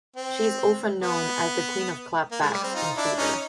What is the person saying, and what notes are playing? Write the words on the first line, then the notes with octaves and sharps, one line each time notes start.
She is often known as the "Queen of Clap Backs" on Twitter.
C4
B3
A#3
G#3
G3
C4
D#4 F4
D4 E4
C#4 D#4